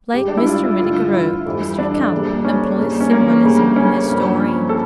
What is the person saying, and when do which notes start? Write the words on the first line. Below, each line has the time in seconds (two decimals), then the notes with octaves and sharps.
Like Mr. Minnigerode, Mr. Camp employs symbolism in his story.
0.14 C#2 C#3 G3 G4
0.28 D4
0.37 E4
0.47 F4
0.80 G2 D3 A3 F4
1.13 E4
1.46 F2 E3 G3
1.79 D4
2.12 F2 C#3 G3 A#3
2.45 C#4
2.78 E2 C#3 G3 A#3
3.00 C#4
3.11 A#3
3.43 D2 C#3 G3
3.76 C#4
4.10 G2 F3 A#3
4.69 A4